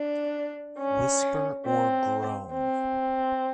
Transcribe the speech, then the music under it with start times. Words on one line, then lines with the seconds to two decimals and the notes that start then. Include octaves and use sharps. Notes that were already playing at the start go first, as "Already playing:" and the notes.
Whisper or groan.
Already playing: D4
0.79 C#4
1.66 C4
2.53 C4